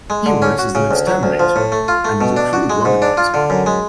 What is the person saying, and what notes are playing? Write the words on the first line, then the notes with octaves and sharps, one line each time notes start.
He works as an exterminator and is a crude womanizer.
G#3
D3
C#4
F#4
C#3
D2
F#3
D2
F3
A2
A3
F4
A3
B2
D4
F#4
G#3
G#2
D4
F4
D3
F#2
G#3